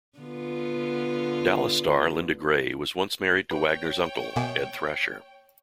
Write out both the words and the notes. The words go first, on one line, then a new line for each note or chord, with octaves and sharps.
"Dallas" star Linda Gray was once married to Wagner's uncle, Ed Thrasher.
D3 B3 F4
B4 C#5 G5
B2 A#3 E5 G#5